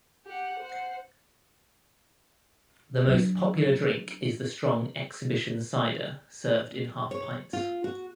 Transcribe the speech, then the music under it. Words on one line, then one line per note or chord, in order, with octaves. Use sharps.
The most popular drink is the strong "Exhibition Cider", served in half pints.
G4 F#5
C5 F#5
F#3 D4
C#5
F4
F#4